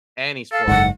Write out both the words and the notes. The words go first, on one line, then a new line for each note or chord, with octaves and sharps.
Any sport.
A4 F5
F#1 G#2 F#5